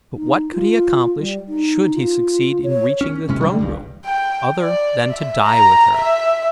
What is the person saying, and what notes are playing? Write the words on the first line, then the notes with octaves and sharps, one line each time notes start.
But what could he accomplish should he succeed in reaching the throne room, other than to die with her?
D#4
F4
G3
D#4
F4
C#5
C#4
E1 C3 G#3 C#4
D3 D#3 G3
G1 C#2 G2
G5
D5
E5
A#5
E5